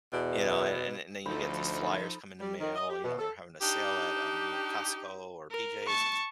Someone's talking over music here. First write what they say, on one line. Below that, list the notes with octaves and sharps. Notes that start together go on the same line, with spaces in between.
ya know? And and and then you get these flyers come in the mail, you know, they're having a sale at, um, you know, Costco or PJ's,
E2 B2
D2 F3 D#4 A4 C5 B5
G3
D#3
D#5
G4
B2
A4
D4 D#4 G4
A#4
A5 C#6